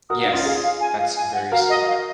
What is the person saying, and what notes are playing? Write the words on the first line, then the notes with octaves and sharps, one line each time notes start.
Yes. That's very smart.
F#4 A#4 D#6
F#5
D#4 F5
C#4 F4 D#5
F4 G#4 F5
F5
G#5
F5
G#5
F#5
F#4 A#4 F5
D#5
F5